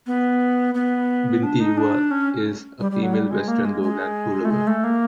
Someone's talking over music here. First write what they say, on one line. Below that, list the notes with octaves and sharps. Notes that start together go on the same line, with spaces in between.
Binti Jua is a female western lowland gorilla.
B3
B3
D4
D#4
D4
C#4
G3
G3
F#3
G3
G#3
A#3
G#3
G#3
A3
G#3
A3
A#3